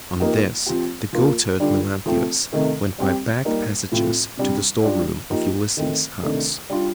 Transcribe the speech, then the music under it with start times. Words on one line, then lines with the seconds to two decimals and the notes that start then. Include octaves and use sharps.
On this the goatherd Melanthius went by back passages to the store-room of Ulysses' house.
0.20 F3 A#3 D#4 G4
0.66 F3 C4 G4
1.13 F3 A#3 F4
1.60 D3 G3 D4 F4
2.06 F3 A3 C4
2.53 C3 D#3 A3
2.98 G3 C4 G4
3.45 G3 A#3 D#4
3.92 A2 F3 C4 F4
4.37 C3 G3 D4 G4
4.84 G3 D4 F4
5.30 F3 A#3 D#4 G4
5.77 D#3 A3 C4
6.23 C3 D#3 A3 D4
6.70 G3 D4 F4